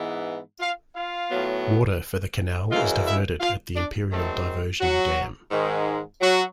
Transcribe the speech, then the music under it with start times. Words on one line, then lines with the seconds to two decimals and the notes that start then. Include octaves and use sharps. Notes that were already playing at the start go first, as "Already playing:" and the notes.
Water for the canal is diverted at the Imperial Diversion Dam.
Already playing: G#2 E3 G#3 B3
0.60 F4 F5
0.95 F4 F5
1.30 A2 F#3 B3
2.70 F#2 C#3 E3 G#3 F4 F5
3.05 E4 E5
3.40 F4 F5
3.76 D4 D5
4.10 F#2 D#3 G#3 A3 C4 A4
4.81 F#3 F#4
5.51 G#2 D#3 G#3
6.21 F#3 F#4